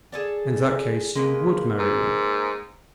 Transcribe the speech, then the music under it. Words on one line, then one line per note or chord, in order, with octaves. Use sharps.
"In that case you--would marry me?"
G#4 A4 D5
G#3 A#3 B4
G#2